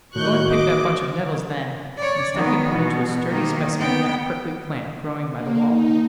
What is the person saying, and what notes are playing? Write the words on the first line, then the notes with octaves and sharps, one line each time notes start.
"Go and pick that bunch of nettles, then," and Stuffy pointed to a sturdy specimen of that prickly plant growing by the wall.
A2 D#3 F#4 C#6 F#6 G6
D#5 D6
C#5 D5
D#3 B3
B2
D#3 A#3
B3 G5
A#3
D#4